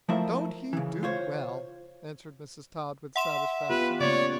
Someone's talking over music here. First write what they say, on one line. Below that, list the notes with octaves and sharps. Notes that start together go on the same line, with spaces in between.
"Don't he do well?" answered Mrs. Todd with satisfaction.
F3 A3 E4 A#4 C5 E5
C#3 E3
F4 C5 C#5
E5 F#5 C6 E7
B3 F4 G4 B4
C#3 A3 A#3 C#5 D5